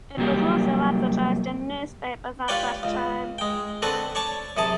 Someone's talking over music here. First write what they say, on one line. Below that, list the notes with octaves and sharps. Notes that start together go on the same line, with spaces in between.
It was also advertised in newspapers at that time.
C3 F#3 G3 A#3 G4
F4 G4 B4 C#5 D5 G5
C#2
G#3 G5
D3 C4 A4 B4 C#6
C#5 D5 A5 C#6
F#2 C3 G#4 A5